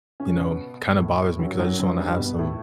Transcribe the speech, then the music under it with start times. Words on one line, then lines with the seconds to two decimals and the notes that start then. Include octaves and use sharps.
you know, kinda bothers me 'cause I just wanna have some
0.20 C#3 C#4
0.40 B2 B3
0.99 A2 A3
1.39 F#2 F#3
1.59 F#2 F#3
1.80 F#2 F#3
1.99 G2 G3
2.19 B2 B3
2.39 A2 A3